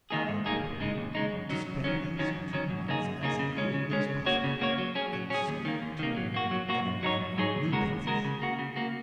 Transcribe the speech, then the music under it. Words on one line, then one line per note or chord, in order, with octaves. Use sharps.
I propose to spend these two months as agreeably as possible, and so to arrange everything on a new basis.
D#3 A#3 D#4 G#4
G#2
D#3 A#3 D#4 G#4
D#2
C#3 G#3 D#4
D#2
C#3 G#3 D#4
F#2
D#3 F#3 C#4
F#2
D#3 F#3 C#4
F#2
D#3 F#3 C#4
F#2
D#3 F#3 C#4
F#2
C#3 A#3 D#4 G#4
F#2
C#3 A#3 D#4 G#4
C#3
G#3 C#4
C#3
G#3 C#4
C#3
A#3 F#4 C#5
C#3
A#3 F#4 C#5
F#3
C#4 G#4
F#3
C#4 G#4
D#2
D#3 A#3
D#2
D#3 A#3
F#3
A#3 F#4
F#3
A#3 F#4
F#2
F#3 D#4 G#4 C#5
F#2
F#3 D#4 G#4 C#5
D#2
C#3 G#3 F#4 A#4
D#2
C#3 G#3 F#4 A#4
C#3
A#3 F#4
C#3
A#3 F#4